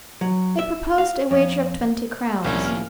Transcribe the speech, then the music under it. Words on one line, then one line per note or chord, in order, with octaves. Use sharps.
They proposed a wager of twenty crowns.
F#3
E5
F5
F2
C2 A2 F3 C#4
A#3 F6